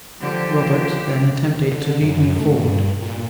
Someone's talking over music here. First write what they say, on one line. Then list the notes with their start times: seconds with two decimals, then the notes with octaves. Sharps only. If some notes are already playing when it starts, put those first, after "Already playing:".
Robert then attempted to lead me forward.
0.20 D3 F3 G4
1.72 D3
2.01 F#2
2.39 A3
2.51 G2
3.02 A#2